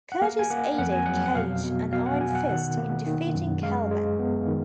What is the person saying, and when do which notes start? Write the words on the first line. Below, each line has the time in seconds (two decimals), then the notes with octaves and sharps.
Curtis aided Cage and Iron Fist in defeating Calvin.
0.12 F#5
0.22 A#3 F5
0.39 G#5
0.50 A#3 F#5
0.79 F2 F#5
0.92 G#5
1.06 F#3 F#5
1.26 F#5
1.35 B2 F5
1.64 B2
1.92 B2 F5
2.06 F#5
2.21 B2 G#5
2.35 F#5
2.49 D#3 F#5
2.77 A#3
3.06 D#3
3.34 F#2
3.62 G#3 F5
3.91 G#3
4.19 B3
4.48 D#3